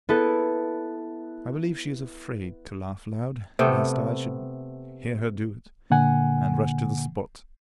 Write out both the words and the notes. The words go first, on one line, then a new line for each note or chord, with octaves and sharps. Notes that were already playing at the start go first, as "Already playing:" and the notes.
I believe she is afraid to laugh loud, lest I should hear her do it, and rush to the spot.
B3 E4 A4 B4
C3 A3 B3 G5
A#2 D3 A#3 F#5 G#5